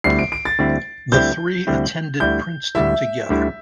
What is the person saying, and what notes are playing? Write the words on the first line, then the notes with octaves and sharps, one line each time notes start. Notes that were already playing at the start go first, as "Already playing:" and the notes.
The three attended Princeton together.
D2 D3 G3 C4 E4 C7
D7
D7
A6
D2 D3 G3 C4 E4
D2 D3 G3 C4 E4 G6
D2 D3 G3 C4 E4
D2 D3 G3 E4 G6
D2 D3 G3 E4 E5
D2 D3 G3 E4